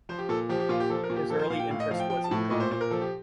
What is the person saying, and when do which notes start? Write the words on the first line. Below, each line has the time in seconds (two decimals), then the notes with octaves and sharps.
His early interest was in drawing.
0.09 F3 C5
0.19 G4
0.29 A#2 A4
0.49 F3 G4
0.60 G4
0.69 A#2 F4
0.80 G4
0.90 F3 A4
1.04 A#4
1.10 A#2
1.16 G4
1.30 F3 A4
1.39 C5
1.50 A#2 F5
1.59 G5
1.70 A2 F5
1.80 D#5
1.91 F3 F5
2.00 G5
2.10 F3 G5
2.24 A5
2.31 A2
2.50 A#2 D#5
2.60 C5
2.71 A#2 C5
2.81 A#4
2.91 F3 A4
3.01 G4